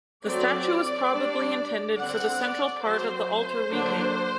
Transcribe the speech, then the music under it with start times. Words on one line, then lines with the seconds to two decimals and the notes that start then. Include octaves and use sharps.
The statue was probably intended for the central part of the altar retable.
0.25 F#3 A3 C4 D5
1.12 G3 D4
1.97 D3 G3 C4 F#5
2.42 D5
2.84 F#3 C4 C5
3.71 D3 F#3 A#3 D4